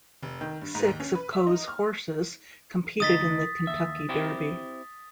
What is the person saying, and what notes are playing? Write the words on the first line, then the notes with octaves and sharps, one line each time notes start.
Six of Coe's horses competed in the Kentucky Derby.
F1
D#3
G2
G#2
D#2
C#4
B4
E5
D#4
F6
D2 D#4 D#5 D#6 A6 B6
D#2 E5
C4 E4 G4